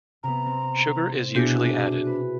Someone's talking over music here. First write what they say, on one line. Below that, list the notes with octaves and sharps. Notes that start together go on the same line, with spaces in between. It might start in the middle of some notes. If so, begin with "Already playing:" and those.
Sugar is usually added.
C3 B3 A#5
C4
B2 B3 D4 E4 F#4 G#4 G6
B4